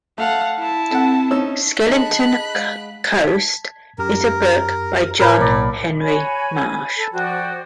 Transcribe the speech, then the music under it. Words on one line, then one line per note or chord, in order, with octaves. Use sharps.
"Skeleton Coast" is a book by John Henry Marsh.
A3 A4 F5 F#5
E4 A5
C4 A4 F#5
C#4 D#4 E6
D4 G#4 D#5 A5 B5 F#6
G#3 F5
A5 G#6 B6
F#2 G4 A#4 F6
A2 A#4 B4 B5
B1 B2 A#3 D5
F#4 C#5 G#5 B5
B5
A4
F3 F#4 C5 D5 G5